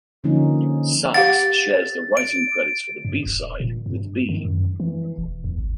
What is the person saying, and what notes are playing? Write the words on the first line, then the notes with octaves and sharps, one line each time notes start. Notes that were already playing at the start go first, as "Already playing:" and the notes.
Sachs shares the writing credits for the B side with B.
D3 F3 A#3 C#4 D#4
G4 F5 F#5 A6
D7
G2
E1
A#2
G2
D#3
F#2
E3
E1
E2
G#1